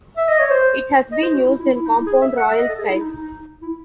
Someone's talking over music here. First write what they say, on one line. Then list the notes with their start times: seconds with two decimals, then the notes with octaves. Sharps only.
It has been used in compound royal styles.
0.17 E5
0.28 D#5
0.39 C#5
0.50 C5
1.12 D#5
1.23 C5
1.33 F#4
1.44 E4
1.59 E4
1.75 E4
1.85 D#4
1.95 E4
2.06 G#4
2.22 E5
2.37 F#5
2.48 E5
2.59 D#5
2.68 A4
2.79 G#4
2.89 E4
3.00 D#4
3.15 D#4
3.62 E4